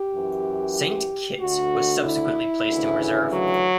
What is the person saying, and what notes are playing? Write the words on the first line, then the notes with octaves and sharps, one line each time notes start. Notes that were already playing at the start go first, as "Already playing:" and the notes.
"Saint Kitts" was subsequently placed in Reserve.
Already playing: G4
F#2 E3
D2 D3 F#4
E4
D2 C#3 E3
F#3